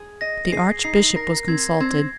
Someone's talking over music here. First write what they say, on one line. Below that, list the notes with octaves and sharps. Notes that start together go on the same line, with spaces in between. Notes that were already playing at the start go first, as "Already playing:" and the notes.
The Archbishop was consulted.
Already playing: G#4
D#5 A#6
G#4 C7
D#4 C7
A#4 A#6
C4 G#6
C4 G#6